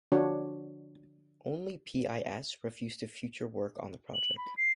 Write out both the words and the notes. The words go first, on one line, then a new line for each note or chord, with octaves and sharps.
Only PiS refused to future work on the project.
D3 F3 D4 F#4 C#5
F#7
B5
C7